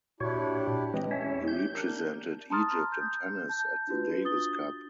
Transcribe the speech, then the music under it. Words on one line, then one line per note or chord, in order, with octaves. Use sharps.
He represented Egypt in tennis at the Davis Cup.
A#2 D4 E4 F#4 G4 C#5
E3 G#3 C4 D#5
E2 C#4 C#5 E5
G4 G6
D4 A#4
A5 A#5 C6 D#6 F6 A6
G6
A5 G6
D4 F4 F#4 B4
D4 D#6 A6 G7